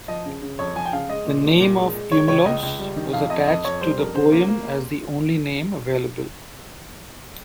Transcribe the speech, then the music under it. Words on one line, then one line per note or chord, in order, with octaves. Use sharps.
The name of Eumelos was attached to the poem as the only name available.
F3 D#5
C#3
C#3
F2 C#5
F3 G#5
G5
C#3 F5
G#3 D#5
A#2
A#2
A#2
G#3
G#3
D#3 C#5
C#2 C#5
C#2 D#5
C#2
G3
D#3
F2 F5
F2 D#5
F2 D#5
F2 C#5
G3 C5
F2 A#4
C#3 C5
A#3
A#3